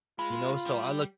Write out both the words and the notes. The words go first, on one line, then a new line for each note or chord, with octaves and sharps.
you know, so I look
G#3 F4 B5
G3